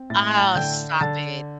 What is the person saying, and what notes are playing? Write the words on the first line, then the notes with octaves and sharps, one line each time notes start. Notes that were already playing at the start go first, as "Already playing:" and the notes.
Oh, stop it.
Already playing: C4
A2 A6
A5 A6
D3 G5 G6
D3 A5 A6